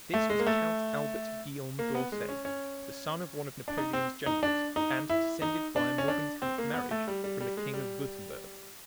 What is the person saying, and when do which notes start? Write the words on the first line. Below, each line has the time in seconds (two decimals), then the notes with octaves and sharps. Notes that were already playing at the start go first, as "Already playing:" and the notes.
This was Count Albert Guillaume d'Orsay, the son of one of Napoleon's generals, and descended by a morganatic marriage from the King of Wurttemburg.
0.14 A3
0.30 G#3
0.39 A#3
0.47 A3
1.79 A#3
1.95 B3
2.12 G#3
2.29 C#4
2.45 C#4
3.68 D4
3.77 D#4
3.93 C4
4.26 D#4
4.43 D4
4.76 D#4
5.10 E4
5.42 D#4
5.76 D4
5.98 C#4
6.08 D4
6.42 C4
6.58 A#3
6.74 B3
6.91 A3
7.08 G3
7.24 G3
7.41 G3
7.57 G#3
7.74 G3